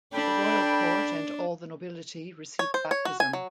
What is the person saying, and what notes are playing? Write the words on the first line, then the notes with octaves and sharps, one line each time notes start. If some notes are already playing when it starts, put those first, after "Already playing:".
The royal court and all the nobility received baptism.
D4 A4 G5 B5
C#5
C5
C#5
F#4
G#5
F#3